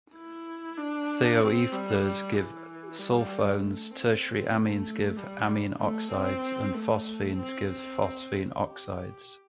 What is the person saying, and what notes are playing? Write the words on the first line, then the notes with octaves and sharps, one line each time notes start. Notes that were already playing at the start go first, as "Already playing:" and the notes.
Thioethers give sulfones, tertiary amines give amine oxides, and phosphines give phosphine oxides.
E4
D4
C4
G3
G3
E3
G3
A3
C4
A3
G3
A3
C4
A3
C4
C4
G4